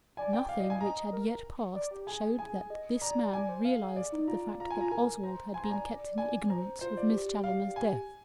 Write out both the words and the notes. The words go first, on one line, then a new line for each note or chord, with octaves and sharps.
Nothing which had yet passed showed that this man realised the fact that Oswald had been kept in ignorance of Miss Challoner's death.
D5 G#5
G5
F5
D#5
G#5
D#5 A#5
A#4
D5
G4
G#4 G#5
G#4 G#5
D#5
D5 A#5
D5 G#5
C5
F5
G#4
D5
D#4
F4 A#5
F4 A#5
G#5
F4
A#5
A#4 G#5
C5 A#5
C5 G#5
A#5
D5 G#5
D5
D5 G#5
C5 A#5
F4 C5
D5
G4
F5
G#5